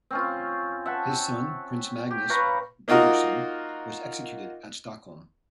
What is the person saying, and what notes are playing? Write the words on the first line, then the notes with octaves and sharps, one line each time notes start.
His son, Prince Magnus Birgersson, was executed at Stockholm.
C4 C#4 F4
E5 F#5 A5
G4
B4 C#5 F5 A#5
A#3 D#4 F4 F#4 A#4 D#5